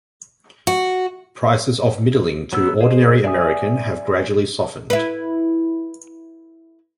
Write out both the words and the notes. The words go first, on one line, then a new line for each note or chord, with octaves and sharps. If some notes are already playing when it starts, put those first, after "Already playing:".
Prices of middling to ordinary American have gradually softened.
F#4
F#3 B3 E6
G#4 C5 D#5
D5 E5 G#5 D#6
E4 B4